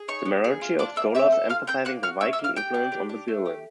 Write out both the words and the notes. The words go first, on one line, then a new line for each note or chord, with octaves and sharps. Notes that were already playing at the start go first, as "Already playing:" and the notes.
The majority of scholars emphasise the Viking influence on the birlinn.
Already playing: G#4
D#4 C#5 C#6
B3
G#4
F4
D4 D5 D6
A#3 E5 E6
C4 E5 E6
A4
F4 F5 F6
C4 G5 G6
A#3 F#5 F#6
F#4 F5 F6
C#4 E5 E6
E5 E6
A#3
F5 F6
G4 G5 G6
D4
G4
D4
A3
G4